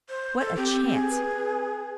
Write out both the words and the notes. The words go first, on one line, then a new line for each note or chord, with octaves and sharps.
What a chance!
C5
A4
C4 G4
G#4
B4